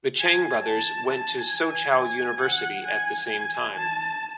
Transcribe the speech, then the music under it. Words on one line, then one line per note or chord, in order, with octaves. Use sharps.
The Chang brothers went to Soochow University at the same time.
G#5
A5
A5
G#5
G#5
G#5
F#5
G#5
G#5
A5